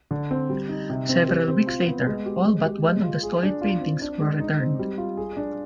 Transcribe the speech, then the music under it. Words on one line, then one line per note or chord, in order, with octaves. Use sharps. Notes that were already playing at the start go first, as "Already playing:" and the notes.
Several weeks later, all but one of the stolen paintings were returned.
D3
C4
G3
D#4
C3
C4
G4
C4
F4
B3
G#3
G4
G#3
G4
G#3
F4
G#4
D4
F4
C4
D4
G#3
D#4
C4
G3
F4
G#4
D4